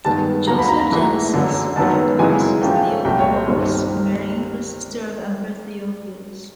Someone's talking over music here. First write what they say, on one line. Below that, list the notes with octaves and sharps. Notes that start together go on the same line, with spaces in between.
Joseph Genesius records Theophobos marrying the sister of the Emperor Theophilos.
G2 D#3 G#3 B3 A5
D2 D3 F#3 A#3 A#5
B5
A#5
A#5
A#1 G#2 E3 A3
F#1 F#2 D3
F#1 F#2 D#3 F#3 B3 A5
G#1 F#2 C#3 E3 G#3 G#5
G#2 F3 A3 C#4 G5
C2 A#2 F#3 A3 G5
C#5
C5
G1 G2 D#3 G3 C4